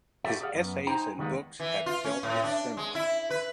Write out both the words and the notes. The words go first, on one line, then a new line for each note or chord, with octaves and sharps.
His essays and books have dealt with cinema.
F#4 G4 A4 E5
G4 G#4 D5 D#5 F5 F#5
F#2 B3
D#4 C5 G5 G#5 A#5
E2 D#3 G3 G#3 A#3 B3
E3
F4
C#4
A2
D4
G#3
E4
B4